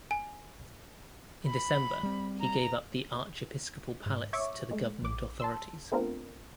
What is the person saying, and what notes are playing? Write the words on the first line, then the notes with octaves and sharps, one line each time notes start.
In December he gave up the archiepiscopal palace to the government authorities.
G#5
B5
G3 C4
A#5
G#2
C#5 E5 C#6 D6
G#3 A3
A#1 D6
A5 C6 E6
A3 B3 C4 D4 F4 A#4